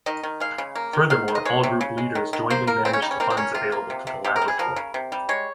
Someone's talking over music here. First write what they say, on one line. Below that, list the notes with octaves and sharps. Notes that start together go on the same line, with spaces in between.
Furthermore, all group leaders jointly manage the funds available to the laboratory.
D#3 D#5
D#3
G#3 F5
C#3
A#3
D#3
D#3 F5
D#3
D#5
G#3 C#5
C3
C#3
G#3
D#3
D#3
A#3 C5
A#3 A#4
C#3 C4
C#4
G3 D#4
C#4
A#3 C4
C4
A#3 C#4
C3 F4
A#3
C3
C3
C3 G4
A#4
G3
G#4
F3 A#4
C#3
C3
G3
G#3 C#5